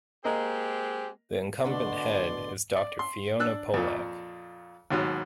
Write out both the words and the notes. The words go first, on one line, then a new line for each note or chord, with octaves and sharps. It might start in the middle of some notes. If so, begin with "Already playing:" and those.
The incumbent Head is Doctor Fiona Polack.
G#3 A#3 C4 G4 D#5 A#5
B2 D3 A3 D4 D5 C6
D5
C6
D4 E6 F#6
F2 A#2
D#2 G#2 B2 F#3